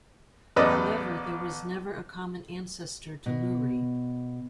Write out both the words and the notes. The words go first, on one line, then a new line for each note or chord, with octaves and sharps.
However, there was never a common ancestor to Luri.
A1 E2 B4 D5 D#5 E6
B2